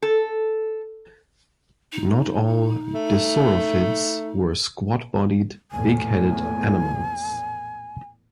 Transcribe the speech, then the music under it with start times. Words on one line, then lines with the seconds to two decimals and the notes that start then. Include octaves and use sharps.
Not all Dissorophids were squat-bodied big headed animals.
0.02 A4
1.92 D#4
2.94 A3
5.72 A#1 E2 A2 G#5